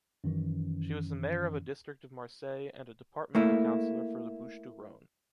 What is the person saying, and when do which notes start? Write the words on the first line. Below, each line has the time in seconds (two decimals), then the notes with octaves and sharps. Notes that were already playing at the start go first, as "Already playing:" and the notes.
She was the mayor of a district of Marseille and a departmental counsellor for the Bouches-du-Rhône.
0.24 F#2 D#3 E3 C#4
3.35 A3 A#3 E4